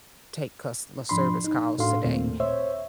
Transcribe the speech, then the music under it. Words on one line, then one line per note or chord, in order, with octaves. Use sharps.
take customer service calls today,
G#2 F3 D4 B5 C6
D#4
A2 D4 F#4 A4 F5 C6
D#2 A#2 A3 C4
C5 C#5 E5